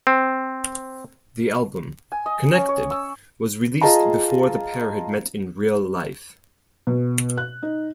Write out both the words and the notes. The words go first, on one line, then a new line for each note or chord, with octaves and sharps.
The album, "Connected", was released before the pair had met in real life.
C4
G#5
D#5
C#4
C#5
E6
F4 G#4 D#5 A5 A#5
B2
F#6
D#4